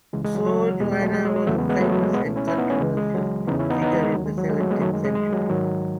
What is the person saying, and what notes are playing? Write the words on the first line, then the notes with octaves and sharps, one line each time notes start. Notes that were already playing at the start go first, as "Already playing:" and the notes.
Sor Juana was a famous and controversial figure in the seventeenth century.
C#2 C#3 E3 G#3
G#3
F#3
F#3
E2 B2 G#3
G#3
F#3 A3
G#3
G#3
G#3
E2 C#3 E3 F#3 A3
G#3 B3
G#3 B3
F#3 A3
F#3
G#3
C#2 B2 G#3 B3
A3 C#4
C#4 E4
C#4 E4
B3 D#4
A3 C#4
C#2 C#3 E3 G#3
G#3
F#3
E2 C#3 E3 B3 D#4
C#4 E4
B3 D#4
B3 D#4
G#3
G#3
D#2 D#3 F#3
G#3
F#3
G#3
F#3 A3
G#3 B3
F#2 D#3 F#3 A3
G#3
G#3
G#3
F#3
G#2 D#3 F#3